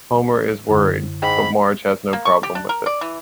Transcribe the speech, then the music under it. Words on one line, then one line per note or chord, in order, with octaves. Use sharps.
Homer is worried, but Marge has no problem with it.
F#2 D3
G#2 G5 B5
A#3
C#6
G4
D4
A#4
D5
E3